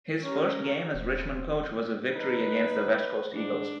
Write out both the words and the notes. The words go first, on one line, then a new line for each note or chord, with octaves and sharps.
His first game as Richmond coach was a victory against the West Coast Eagles.
C#4 G4 A#4
D#1 C4
D#4 B4
G#2 D4